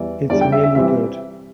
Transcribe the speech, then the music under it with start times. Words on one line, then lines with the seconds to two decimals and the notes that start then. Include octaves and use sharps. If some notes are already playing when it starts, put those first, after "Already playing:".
It's merely good.
Already playing: E2 E3 G3 D5
0.30 E2 D3 G3 D5
0.41 G5
0.52 E5
0.64 E5
0.75 C3 E3 G3 E5